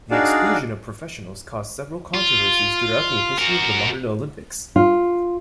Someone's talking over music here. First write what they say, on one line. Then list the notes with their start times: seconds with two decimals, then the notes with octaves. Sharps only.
The exclusion of professionals caused several controversies throughout the history of the modern Olympics.
0.11 D4 D#4 F#4 G#4 D5 F5
2.14 F4
3.39 F#4 A#4
4.76 F4